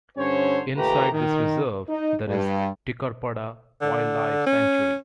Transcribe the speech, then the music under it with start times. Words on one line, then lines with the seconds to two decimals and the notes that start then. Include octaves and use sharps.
Inside this reserve there is Tikarapada Wildlife Sanctuary.
0.17 G2 D3 C#4 C5 C#5
0.76 D#2 A#2 A3 G4 B4 A#5
1.13 D#3
1.88 D#4
2.28 G2
3.81 D3
4.46 C#4